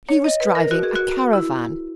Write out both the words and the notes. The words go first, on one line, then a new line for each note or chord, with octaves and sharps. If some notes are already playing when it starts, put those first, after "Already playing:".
He was driving a caravan.
C#5
D#5
B4
A#4
F#4
G#4
F#4
E4